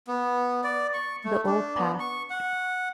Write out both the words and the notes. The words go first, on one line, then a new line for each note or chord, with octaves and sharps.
The old path.
B3
D5
C#6
A3
D4
B3
C#6
F#5